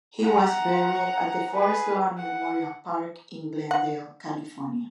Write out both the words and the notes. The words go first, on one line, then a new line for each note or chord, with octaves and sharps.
He was buried at the Forest Lawn Memorial Park in Glendale, California.
F#5 A#5
G#4 B4
F#5
F#5